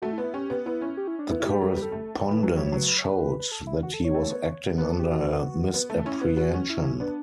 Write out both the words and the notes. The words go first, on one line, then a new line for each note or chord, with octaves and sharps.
The correspondence showed that he was acting under a misapprehension.
A3 F#4
E4
B3
E4
C#4 G4
B3
B3 E4
C#4
G4
E4
D4
B3 E4
E4
G3
G4
G3 A4
B4
G3
A4
A3
C#5
B4
E3
F#3
G3 C#5
C#5
F#3 B4
B4
C#5
A4
B4
B4
A4
E4
F#4
A4
C#5
A3
B3
B3 B4
A4
G4
F#4
B3
A3
C#4 E4
B3
B3 F#4
C#4
E4
B3 D4